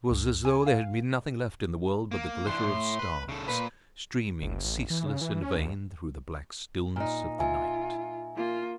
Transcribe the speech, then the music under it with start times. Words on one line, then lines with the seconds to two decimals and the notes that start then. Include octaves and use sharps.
It was as though there had been nothing left in the world but the glitter of stars streaming, ceaseless and vain, through the black stillness of the night.
0.11 C#2
0.45 G#5
0.66 F5
2.11 A#3
2.47 E3 D4 C6
2.64 A2
2.99 B4
3.29 C#3 A4
3.48 A#2 B4
4.42 F#1
4.64 A1
4.90 E3
5.06 C#3
5.21 E3
5.43 C#4
5.57 D2
6.96 A#2 D#4
7.39 F4 E5 G#5
8.36 A#3 F4